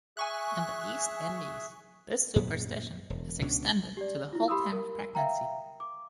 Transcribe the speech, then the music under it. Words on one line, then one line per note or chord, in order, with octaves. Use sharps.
In the East Indies this superstition is extended to the whole time of pregnancy.
G#4 E5 G#5 C#6 F#6
F#2 A#2 F#3 B3
E1
C#2 B2 C#4 D4
G4 D5
E4 F4
G4 B5 C6 D#6 E6
A#4
E5 F5 G5 A#5
D6